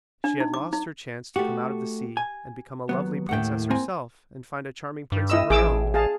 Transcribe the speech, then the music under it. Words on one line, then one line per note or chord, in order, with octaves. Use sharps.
She had lost her chance to come out of the sea and become a lovely princess herself and find a charming prince of her own.
D4
D#4
D6
D#4
A3 F#4 G4
G#5
D#2 F#3 B3
D#2 A2 A3 F#5 G5
A#3 C4 G#5
G2
E4 D#5 E6
A1 G#4 D6 E6
G#4 F5 A5